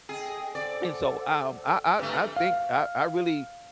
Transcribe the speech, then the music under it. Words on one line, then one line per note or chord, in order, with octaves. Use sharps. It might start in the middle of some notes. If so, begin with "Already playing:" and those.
and so, um, I I I think I I really,
G#4 A4 D#5 G5
A4 C5 D5 F#5
G2 A3
F5